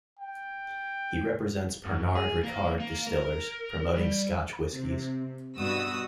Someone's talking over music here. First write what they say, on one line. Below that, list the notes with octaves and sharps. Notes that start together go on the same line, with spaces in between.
He represents Pernod Ricard distillers, promoting Scotch whiskies.
G5
F#2
G#4
A#3
A#3
A#4
G3
C3
G2 B2 F#4 D#6 E6